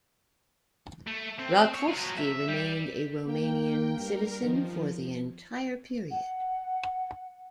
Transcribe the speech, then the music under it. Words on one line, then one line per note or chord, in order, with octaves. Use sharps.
Rakovsky remained a Romanian citizen for the entire period.
A3
C4
C#5
F3 F#3
E5
G3 G4
A#3 G5
G2 A#4
D#3 F3
F#5